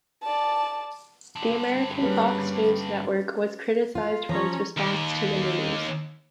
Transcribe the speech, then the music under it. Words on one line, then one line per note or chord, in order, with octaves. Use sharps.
The American Fox News network was criticised for its response to the news.
D5 A5
G2 D3
G3 A#3 C#4 G#4 B4
F4
F3 C#4 C#5 A#5
D#2